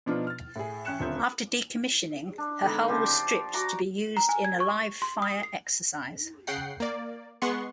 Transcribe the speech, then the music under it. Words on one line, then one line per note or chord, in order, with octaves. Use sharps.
After decommissioning her hull was stripped to be used in a live-fire exercise.
B2 F3 B3 D4 D#4 F4
F6 A6
A2 G#4
A1 C#4 G5 F#6 C#7 E7
D#1 D2 C4 F4 E5 G6
D4
D3 G#3 B3 D#4
C#3 F3 G4 C5
D5
F#4 A#5 D6
A#5
G#5
G#6
C#6
C6
D#6
C7
C#3 F#5 G5 C7
A#3 D5
G#3 B3 F#5 C6 C#6